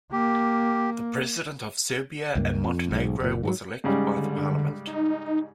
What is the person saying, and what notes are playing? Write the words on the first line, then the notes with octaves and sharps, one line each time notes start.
The president of Serbia and Montenegro was elected by the parliament.
A#3 G4
C#2 G2 A#3
F2
B1 G#2
F#1 A#2
G#2 E3 F#3
G#2 C#3 G3
D3
D#4